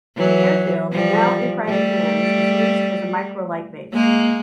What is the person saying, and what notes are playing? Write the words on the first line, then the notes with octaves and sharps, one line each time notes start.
The airfield, now in private hands, is used as a microlight base.
E3 F#3
F3 G3
G3 A3
G#3 A#3